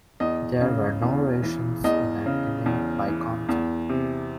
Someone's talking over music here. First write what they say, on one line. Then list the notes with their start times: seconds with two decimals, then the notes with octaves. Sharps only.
There were no rations in an innings by Compton.
0.20 E2 D#5
0.61 C#3
1.02 E2
1.43 E3
1.84 E2 D#5
2.26 C#3
2.66 E2
3.08 E3
3.49 E2
3.89 C3